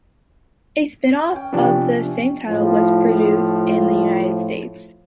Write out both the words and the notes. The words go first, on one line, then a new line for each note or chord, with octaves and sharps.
A spinoff of the same title was produced in the United States.
C#4 G5
C3 F3 B3 D4
A2 F3